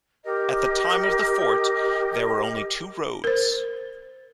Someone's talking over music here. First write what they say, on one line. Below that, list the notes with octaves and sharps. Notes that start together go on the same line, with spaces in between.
At the time of the fort, there were only two roads.
G4 A#4 D#5
A#4 C5